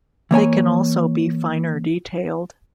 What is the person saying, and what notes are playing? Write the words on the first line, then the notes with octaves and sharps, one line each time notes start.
They can also be finer detailed.
E3 A#3 C#5 G#5